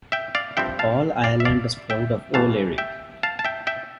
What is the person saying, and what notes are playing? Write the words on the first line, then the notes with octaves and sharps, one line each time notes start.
All Ireland is proud of O'Leary.
E5 G5
D5 F5
G2 F3 C4 E5 G5
F5 A5
D5 F5
E5
D5 F5
E5 G5
C2 C3 E3 A3 F5 A5
E5 G5
F5 A5
A5
E5 G5
E5 G5